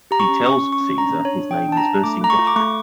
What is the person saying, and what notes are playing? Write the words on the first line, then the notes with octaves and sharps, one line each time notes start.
He tells Caesar his name is Vercingetorix.
G4 A#5
C#6
C#4
C#4 C#6
C#4
C#6
C#4
D4 A#5
D4
C#5
D4
D4 G5
D4 A5
A#5
D4
A3 D6
A3 A#5
C#6
F4
D6
A3 C#6